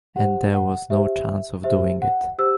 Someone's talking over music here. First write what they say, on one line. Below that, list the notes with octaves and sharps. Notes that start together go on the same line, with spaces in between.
And there was no chance of doing it.
G4 C5 F#5
F#5
G4 C5 E5
G4 C5 E5
F#5
G4 C5 E6